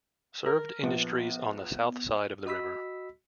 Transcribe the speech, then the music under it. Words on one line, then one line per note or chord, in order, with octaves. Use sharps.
Served industries on the south side of the river.
A#4
A#1 B3
F#4 D#5 B5 E6 B6